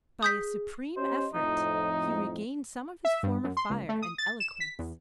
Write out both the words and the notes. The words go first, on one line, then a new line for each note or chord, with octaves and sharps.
By a supreme effort he regained some of his former fire and eloquence.
G#4 D#6 G6 B6
C#4 G4 C5 D#5
F2 A2 D#4
E5
G2
F#2
C6
C#2
A3
D#6
A6
E7
B6
E2